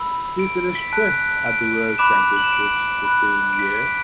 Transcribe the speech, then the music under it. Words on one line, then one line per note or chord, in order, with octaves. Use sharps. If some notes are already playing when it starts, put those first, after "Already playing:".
He finished fifth at the World Championships the same year.
Already playing: B5 E6
D7
B6
A5 F#6 D7
D7
B5 D6 F#6 E7
F#7
E7
D7
B5 F#6
D7
B6
D7